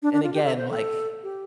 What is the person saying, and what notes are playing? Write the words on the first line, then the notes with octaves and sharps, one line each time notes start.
and again, like,
D4
D4
F4
G4
A4
C5
A4
G4